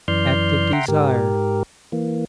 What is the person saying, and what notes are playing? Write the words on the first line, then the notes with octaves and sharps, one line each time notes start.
Act of Desire.
F#2 E3 D5 C6 F6 G6
E5 F#5 G5 A#5 C6
G#2 G4 A#4
E3 A#3